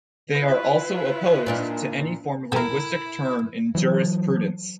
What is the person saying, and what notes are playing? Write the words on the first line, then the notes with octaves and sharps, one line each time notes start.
They are also opposed to any form of linguistic turn in jurisprudence.
E4 F4 B4
A#2 D4 D#4
E4 A4 A#4 G5 G#5
E3 F#3